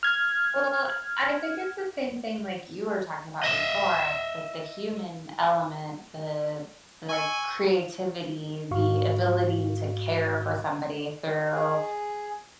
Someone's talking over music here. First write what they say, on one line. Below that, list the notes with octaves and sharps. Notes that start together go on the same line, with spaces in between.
Well, I think it's the same thing like you were talking about before. It's, like, the human element, the the creativity, the ability to care for somebody through
F6 G#6
D#5 E5
G#5 C#6 E6 C#7
G#2 F#4 F5 C#6
G#4